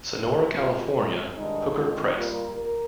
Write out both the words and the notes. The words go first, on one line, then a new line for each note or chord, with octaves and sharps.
Sonora, California: Hooker Press.
G#3 C#4 F4 C5
A#2 G#3 C4 F4
F2 C3 F3 G#3
G2 D#3 G#3 D#4
G2 D#3 G#3 C4 F4
G3 A#3 F4 A#4
A#4